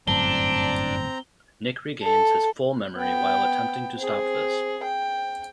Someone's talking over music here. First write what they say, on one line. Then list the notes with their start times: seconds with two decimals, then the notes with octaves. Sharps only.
Nick regains his full memory while attempting to stop this.
0.08 G1 F#2 A2 C4 D4 A#5 G7
2.02 A4
2.96 B3 G5
3.98 C4 G#4
4.83 G5